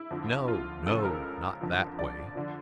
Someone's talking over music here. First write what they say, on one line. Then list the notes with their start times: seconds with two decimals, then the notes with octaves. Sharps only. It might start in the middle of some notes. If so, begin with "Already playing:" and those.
No, no! Not that way.
Already playing: E4
0.11 F2 D3 F3
0.48 F4
0.86 C#2 C#3 F3 A4
1.04 A#4
1.61 F2 D3 F3
1.99 D5
2.35 D3 F3